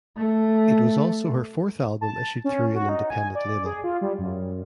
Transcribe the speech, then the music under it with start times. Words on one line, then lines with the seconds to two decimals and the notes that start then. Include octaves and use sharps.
It was also her fourth album issued through an independent label.
0.18 A3
2.01 A5
2.44 C#4
2.74 F#4
2.89 D#4
3.10 G#5
3.35 D5
3.65 G#4
3.84 F4
4.01 G3
4.19 F#2